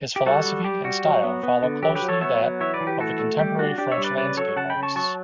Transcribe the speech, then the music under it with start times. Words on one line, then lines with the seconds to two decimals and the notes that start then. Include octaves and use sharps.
His philosophy and style follow closely that of the contemporary French landscape artists.
0.16 G4
0.26 G3 F#4 A4
0.45 G3
0.64 G3 G4
0.84 G3 F#4
1.04 F#3
1.24 B3
1.43 B3
1.63 D3
1.82 F#3 G4
1.95 G4 B4
2.02 F#3
2.08 A4 C#5
2.21 B3 C#5 E5
2.41 F#3
2.60 E3 C#5 E5
2.74 B4 D5
2.81 E3
2.87 G4 B4
3.00 A3 F#4 A4
3.19 A3
3.39 G3 G4
3.59 D4 F#4
3.78 D4 G4
3.92 C#5 E5
3.98 G3
4.04 B4 D5
4.17 C#3 B4 D5
4.37 F#3 A4 C#5
4.56 C#3 F#5 A5
4.70 G5 B5
4.76 C#3
4.83 A5 C#6
4.96 F#3 A5 C#6